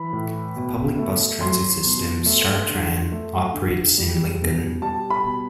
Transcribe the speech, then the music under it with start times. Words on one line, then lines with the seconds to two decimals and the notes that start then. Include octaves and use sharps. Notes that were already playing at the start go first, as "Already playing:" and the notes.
A public bus transit system, StarTran, operates in Lincoln.
Already playing: E3 B5
0.13 A2
0.56 B2
0.99 A3
1.41 F#3 C6
1.85 B2
2.26 A3
2.70 D3
3.12 A3
3.54 D3
3.98 G3
4.40 B2
4.82 G3 A5
5.10 B5
5.25 B2